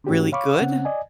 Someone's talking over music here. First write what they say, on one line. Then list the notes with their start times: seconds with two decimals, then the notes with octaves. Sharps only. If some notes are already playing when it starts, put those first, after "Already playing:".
really good?
0.07 G#2 E3 A3 C#4 F#4 G4
0.32 C#5 F5 B5 C#6 D6
0.59 C#3 C4 C#4 F#5
0.85 D5 D#5 G#5